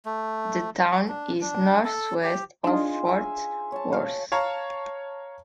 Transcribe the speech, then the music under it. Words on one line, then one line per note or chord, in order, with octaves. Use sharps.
The town is northwest of Fort Worth.
A3
D4
D4
A4
G4
D4 D#4 F4 G#4 C5 D#5
E5 G#5
C#5 A5
F5
C#5 F5 A5 A#5 C#6